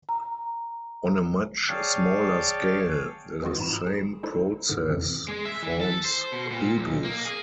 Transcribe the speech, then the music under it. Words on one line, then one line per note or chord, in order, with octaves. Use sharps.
On a much smaller scale, the same process forms hoodoos.
A#5
G#4 C#5 D5 F5 G5 A5
E3 F3 G#3 C4 F4 F#4
G#2 A#5 B5 E7
G#4 D7
G#3 D#4 E4 A4 C5
G#2 D3
F2 C3 E3
G#3
E5
E3
A4
C5
B2
A#2
B1
A#3
G#4